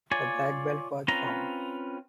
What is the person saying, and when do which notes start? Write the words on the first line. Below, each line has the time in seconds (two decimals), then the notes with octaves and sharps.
The Black Belt was formed.
0.11 F4 C#5 D5 G#5
1.08 C4 C#4 F4 B4 A#5